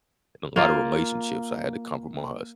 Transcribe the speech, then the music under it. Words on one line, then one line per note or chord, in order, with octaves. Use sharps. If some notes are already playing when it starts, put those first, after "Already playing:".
in a lotta relationships, I had to compromise.
A#3 F4 A#4